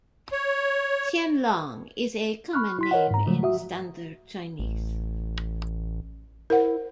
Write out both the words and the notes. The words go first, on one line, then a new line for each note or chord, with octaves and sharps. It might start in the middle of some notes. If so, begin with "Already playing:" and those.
Tianlong is a common name in Standard Chinese.
C#5
B5 C#6 F6 F#6
E4 C6 B6
A#4 C#5 D#5 F#5
G#2 A#5
C#3 F3 F#3 G#3 A3
F#4 E5 D#6
A1
E4 A#4 C5 F#5